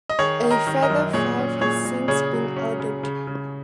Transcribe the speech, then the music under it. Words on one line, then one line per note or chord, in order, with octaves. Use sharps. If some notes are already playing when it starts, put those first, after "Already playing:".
A further five has since been ordered.
D#5
D#3 G#4 C#5
D#3
A#4 D#5
D#3
A#4 D#5
F#2
A#2 G#4 C#5
C#4
A#2 G#4 C#5
A#2
C#3 G#4 C#5
F#3
C#4
C#3
C#3
C#3